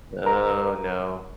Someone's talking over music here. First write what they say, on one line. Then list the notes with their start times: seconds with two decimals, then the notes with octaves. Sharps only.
Oh no.
0.25 A#4 A#5